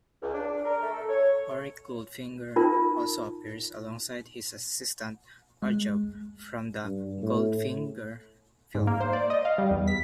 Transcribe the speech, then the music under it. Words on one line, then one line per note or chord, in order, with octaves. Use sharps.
Auric Goldfinger also appears, alongside his assistant, Oddjob, from the "Goldfinger" film.
C#2
D4
A#4
A3
A4
C#5
D#4 F4 A#4
G#3
G2
A2
G#2
A#3
C5
D5
D#5
F5
G3
E2
B6